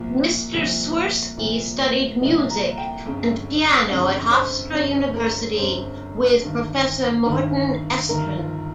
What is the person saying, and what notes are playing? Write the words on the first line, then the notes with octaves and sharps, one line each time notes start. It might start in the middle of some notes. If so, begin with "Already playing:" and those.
Mr. Swirsky studied music and piano at Hofstra University with professor Morton Estrin.
Already playing: C2 A#2 F3
C2 A#2 F3
C2 A#2 F3
C2 A#2 F3 D#5
A#5
G5
G1 F2 C#3
G1 F2 C#3 F5
C5
G1 F2 C#3 C#5
A#4
G1 F2 C#3 C5
G1 G2 D#3
G1 G2 D#3
G1 G2 D#3 A#4
F4